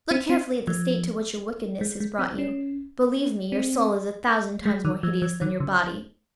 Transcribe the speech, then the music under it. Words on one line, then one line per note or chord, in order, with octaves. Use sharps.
"Look carefully at the state to which your wickedness has brought you; believe me, your soul is a thousand times more hideous than your body."
C4
C4
F3
G#3
G#3
C4
C#4
C4
G#3
D#3
F3
F3
D#3
C#3